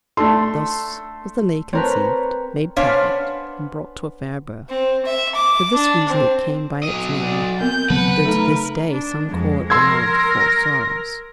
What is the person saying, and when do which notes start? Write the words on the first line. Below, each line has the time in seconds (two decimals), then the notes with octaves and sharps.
Thus was the Lay conceived, made perfect, and brought to a fair birth. For this reason it came by its name; though to this day some call it the Lay of the Four Sorrows.
0.17 A3 D4 A4 C6
1.73 C4 A#4 B4 C#5 A5
2.76 B3 C#4 D4 C5 C#5 F5
4.69 C4
5.05 E5
5.35 D6
5.75 D4
6.09 C4
6.83 F#3 D#5
7.23 D5
7.60 B3 C4 A#4 G6
7.90 C#3 F#3 B3 B4 F#5 A5
8.25 A3 D#4 A4 A#4
8.91 D4
9.30 F2 G#3
9.70 A#4 C6 E6 G#6